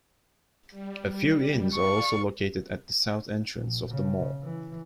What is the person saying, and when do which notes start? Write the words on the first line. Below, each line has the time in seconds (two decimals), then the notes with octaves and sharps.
A few inns are also located at the south entrance of the mall.
0.70 G3
1.74 D5 F5 C#6
3.55 A#1
3.90 C#3
4.43 E3